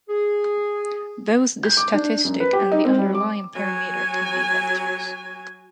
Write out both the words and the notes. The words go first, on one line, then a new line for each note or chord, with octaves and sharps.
Both the statistic and the underlying parameter can be vectors.
G#4
G6
D6
D4
F#2
B4
G4
D#4
C4
G3
D6
F#3 G#5